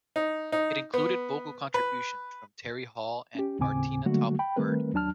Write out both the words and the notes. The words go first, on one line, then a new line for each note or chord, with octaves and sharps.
It included vocal contributions from Terry Hall and Martina Topley-Bird.
D#4
D#4
B3
B4
C#4 G4
D#2 A2 C#3 C4 G#5 D6
D3 F#3 G3 A3 A#3 F#4
G5 B5
D#3 G3 A3 C4 A#4 B4
D#2 F#3 D4 A5 F6